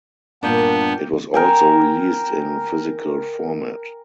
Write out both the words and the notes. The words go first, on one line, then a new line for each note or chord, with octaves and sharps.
It was also released in physical format.
G2 A#2 A#3 B3 D4 G5 A5
A#4 G5 G#5